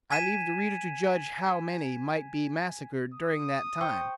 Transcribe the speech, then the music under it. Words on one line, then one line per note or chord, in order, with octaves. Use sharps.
I leave the Reader to judge how many might be Massacred during that time.
G#5 G#6 B6 D#7 E7
D#6
C5 G5 C#6